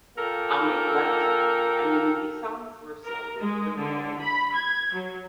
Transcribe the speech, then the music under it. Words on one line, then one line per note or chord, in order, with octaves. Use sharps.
I'll Make Love To You. I mean, these songs were so beautiful,
A#2 A#3 A4 A#4 G5
A#4
G#3
D3
B5
G#6
F#3